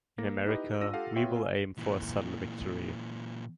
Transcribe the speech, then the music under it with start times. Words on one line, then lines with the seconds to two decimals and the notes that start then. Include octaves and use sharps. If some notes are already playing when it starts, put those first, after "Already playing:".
In America we will aim for subtle victory.
0.18 A#3 A#6
0.46 D#4 E4 G4 B4 D#5
0.80 G#3 D4 F4 E6 A#6 D#7
0.93 F4 G4 A4 F5 F#5
1.16 B3 F4 F#4 C#5 E5 G5
1.36 F5 G#5
1.78 A#2 E3